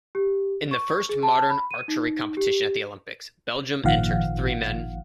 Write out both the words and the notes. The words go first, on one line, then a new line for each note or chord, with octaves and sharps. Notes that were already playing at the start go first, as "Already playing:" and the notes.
In the first modern archery competition at the Olympics, Belgium entered three men.
G4
C#6
G#4
A5
B5
D#7
D#4
G4
G#1 A#2 D#3 F3 F5 F#5